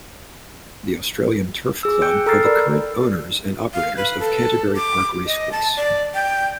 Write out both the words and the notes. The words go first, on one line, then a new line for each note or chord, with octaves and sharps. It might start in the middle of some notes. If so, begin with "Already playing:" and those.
The Australian Turf Club are the current owners and operators of Canterbury Park Racecourse.
G#4 E6
G5 F#6 G6 C#7 D7
A4 A#5 E6 F6 A6 C7
A#4 D5 B5 E6
F5
B4
A4
D6
D#5
A5
D5
G5